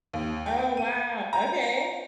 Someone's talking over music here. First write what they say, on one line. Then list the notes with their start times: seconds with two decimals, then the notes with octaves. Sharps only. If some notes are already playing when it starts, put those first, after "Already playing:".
Oh, wow, okay.
0.13 D#2
0.46 G5
0.77 D#7
1.33 A#5